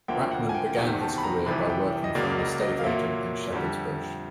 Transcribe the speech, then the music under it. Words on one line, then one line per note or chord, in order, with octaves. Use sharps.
Rachman began his career by working for an estate agent in Shepherd's Bush.
D2 D3 F3 A#3 G5
F#5
G#5
G5
E2 C3 D#3 G5
A5
B5
A#5
C2 C3 E3 B5
G5
D#5
C#2 C#3 F#3 A#3 D5
D#5
D#5
F5
A#2 F#3 A#3 E5
F2 D3 G3